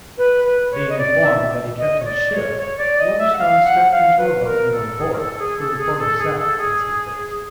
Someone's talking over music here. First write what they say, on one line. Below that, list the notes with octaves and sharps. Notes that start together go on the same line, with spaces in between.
Being informed that he kept his ship, Wolverstone stepped into a boat and went aboard, to report himself, as he put it.
B4
B4
C#5
D#5
D5
E5
D#5
C#5
D5
C#5
C#5
D5
D#5
E5
F#5
F5
F#5
F5
B4
A#4
A4
G#4
A#4
A4
G#4
A4
G#4
A4
G#4
A4
G#4